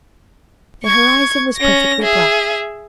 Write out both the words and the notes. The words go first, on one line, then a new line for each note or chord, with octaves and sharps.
The horizon was perfectly black.
C#6 G#6
C#4 A#6
G#4 E5